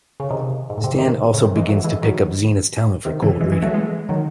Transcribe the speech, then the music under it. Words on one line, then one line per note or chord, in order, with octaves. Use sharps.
Stan also begins to pick up Zeena's talent for cold reading.
C#3
C3 D#3
G#2
A2
C3
C#3
C3 D#3
A2 C#3
C3 D#3
E3 G#3
F#3 A3
E3 G#3
D#3 F#3
C3 D#3
C#3 E3
E3 G#3
E3 G#3
F#3 A3
E3 G#3
D#3 F#3